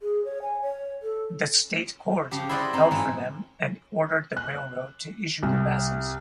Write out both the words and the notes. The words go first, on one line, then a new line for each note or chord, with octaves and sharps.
The state court held for them, and ordered the railroad to issue the passes.
G#4
C#5
G#5
C#5
A4
C#3 F3 G4
E4 C5 D5 D#5 F#5 G5
C4 D#4 C5
G#2 E3 F4
F#6
C2